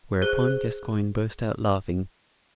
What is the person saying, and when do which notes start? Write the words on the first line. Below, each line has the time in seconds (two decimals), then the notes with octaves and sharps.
Whereupon Gascoyne burst out laughing.
0.22 G#4 C5 F#6 G7